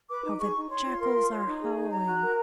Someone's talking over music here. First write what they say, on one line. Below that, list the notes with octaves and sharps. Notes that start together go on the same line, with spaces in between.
How the jackals are howling....
B4 D6
D#4
G#4 C#6
D#4
C#5 C6
F4
A#4
F4
C#5
D#4
G#4
D#4
C#5 A#5
F#4
A#4